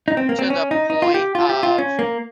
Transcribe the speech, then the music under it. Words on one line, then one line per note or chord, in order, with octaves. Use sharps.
to the point of,
D#4
C4
A#3
C4
C#4
D#4
D#4
F4
G4
F4
G4
F4
C#4
A#3